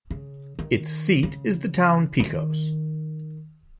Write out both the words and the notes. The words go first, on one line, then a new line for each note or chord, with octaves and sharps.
Its seat is the town Picos.
C#3
D#3
C#3
D#3